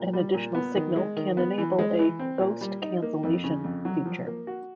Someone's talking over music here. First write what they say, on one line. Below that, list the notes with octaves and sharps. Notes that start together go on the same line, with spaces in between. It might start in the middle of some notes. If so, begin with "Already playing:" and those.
An additional signal can enable a "Ghost Cancellation" feature.
Already playing: A#2
G3
A#2
B3
D#3
G#3
D#3
B3
E3
G#3
E3
C4
A#2
G3
D#4
A#3
F2
C#3
F2
F#3
F3
A#3
F#4